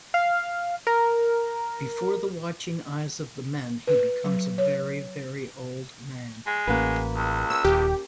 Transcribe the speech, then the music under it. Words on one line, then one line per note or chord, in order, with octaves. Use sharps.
Before the watching eyes of the men, he becomes a very, very old man.
F5
A#4
B4
F#3
C#5
G#3
A1 A#3 C#4 F#4 B4
C#2
C#4 E6
D#1 D#2 G4